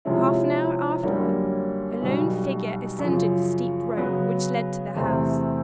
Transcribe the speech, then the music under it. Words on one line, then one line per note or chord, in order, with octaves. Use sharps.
Half an hour afterward, a lone figure ascended the steep road which led to the house.
C3 F3 G#3 C#4 E4
F#2 D3 G3 A#3 C#4
B1 B2 G3
F#2 C#3 F3
C#3 F#3 B3
E2 C3 E3 A3 C4